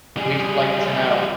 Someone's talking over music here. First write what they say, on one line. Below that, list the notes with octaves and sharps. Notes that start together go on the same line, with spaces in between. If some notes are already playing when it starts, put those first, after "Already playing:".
We'd like to know.
G3 G#4